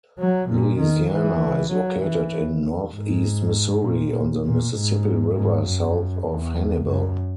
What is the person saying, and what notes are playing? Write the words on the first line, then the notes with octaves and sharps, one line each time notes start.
Louisiana is located in northeast Missouri, on the Mississippi River south of Hannibal.
F#3
A#2
D#3
E3
F#3
E3
G#2
A#2
A#2
G#2
G#2
F#2
E2
F#2